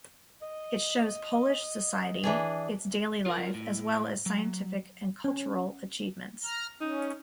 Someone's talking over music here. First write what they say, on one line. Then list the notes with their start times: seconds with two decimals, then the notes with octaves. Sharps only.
It shows Polish society, its daily life as well as scientific and cultural achievements.
0.42 D#5
2.23 E3 D4 G#4
3.26 F4 A#4 F#5
3.54 A2
4.26 F#3
5.24 C#4
6.43 A#5 F6
6.81 C#4 D#4